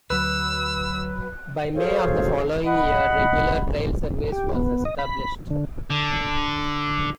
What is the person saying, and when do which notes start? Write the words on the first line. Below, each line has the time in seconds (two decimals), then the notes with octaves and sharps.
By May of the following year regular rail service was established.
0.10 D2 F#3 B4 E6 F#6
1.75 F#4 G#4 A4 C5 C#5 F5
2.65 D#5 F#5 B5
4.32 G4
4.55 B3
4.85 D#5
4.99 B5
5.50 D3
5.90 D3